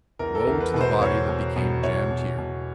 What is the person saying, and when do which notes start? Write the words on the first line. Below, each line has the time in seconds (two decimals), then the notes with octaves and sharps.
Woe to the body that became jammed here!
0.19 E2 A#4
0.35 A4
0.39 A#4
0.47 E2
0.60 B4
0.74 B2 B4
0.81 C5
1.01 E2 C#5
1.28 B2
1.56 B2
1.83 E2 C#5
2.11 B2
2.38 B2